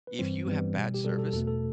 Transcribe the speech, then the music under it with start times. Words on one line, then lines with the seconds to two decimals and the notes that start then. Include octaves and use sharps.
if you have bad service,
0.07 B4
0.19 G2 E3 G3 C4 C5
0.47 G2 E3 G3 B3 B4
0.76 B2 G3
0.94 G4
1.04 B2 G3 A4
1.19 A4
1.33 E2 B2 A3 A4
1.47 A4